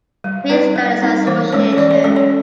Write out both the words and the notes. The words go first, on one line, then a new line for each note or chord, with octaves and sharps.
Sea Studies Association.
G3
C4 D#4 B4
G3
C4 D#4
E3 C5
G#3 C#4 C#5
C#5
E3 D5
C#5
G#3 C#4 A4
C#5